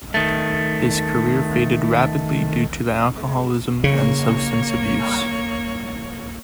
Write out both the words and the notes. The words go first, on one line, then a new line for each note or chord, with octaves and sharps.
His career faded rapidly due to alcoholism and substance abuse.
D#3 A3
C#3 A#3 C#5